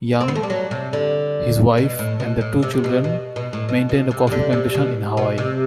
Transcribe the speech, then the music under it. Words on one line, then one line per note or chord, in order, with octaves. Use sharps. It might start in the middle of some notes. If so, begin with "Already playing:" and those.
Young, his wife and their two children maintained a coffee plantation in Hawaii.
C4
B3
A3
G3
F#3
C3
D3
B2
A2
B2
A2
C3
C3
B2
B2
B2
A2
B2
B2
C3
C3
D3
C3
B2
B2
C3